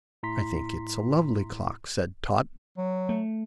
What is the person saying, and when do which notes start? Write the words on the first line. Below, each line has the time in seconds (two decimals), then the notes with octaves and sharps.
"I think it's a lovely clock," said Tot.
0.23 A2 E4 A#5 C6 B6
2.78 F#3
3.09 A3